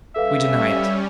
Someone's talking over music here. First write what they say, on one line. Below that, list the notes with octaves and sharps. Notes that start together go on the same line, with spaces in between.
We deny it.
G3 C#4 A4 B4 E5 F5